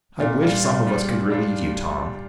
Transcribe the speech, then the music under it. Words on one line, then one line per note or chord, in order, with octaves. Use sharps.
"I wish some of us could relieve you, Tom."
A#2
G3 D4 F4
A#2
G3 D4 F4
A#2
G3 D4 F4